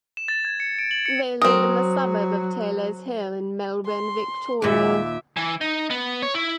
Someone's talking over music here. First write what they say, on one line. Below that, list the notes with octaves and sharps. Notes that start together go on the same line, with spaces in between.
They live in the suburb of Taylors Hill, in Melbourne, Victoria.
E7
A6
G#6
C#7
D7
F#7
C#7
F#3 C4 A#4 D#6
C6
D#2 A#2 G#3 E5 D6
E3
D#4
B3
C#5
E4